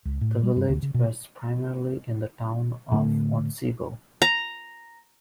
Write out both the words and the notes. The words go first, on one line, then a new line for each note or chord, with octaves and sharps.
The village rests primarily in the town of Otsego.
C#2
A2
G3
G2
D2
C#3
B2
A2 D3 A3
A#5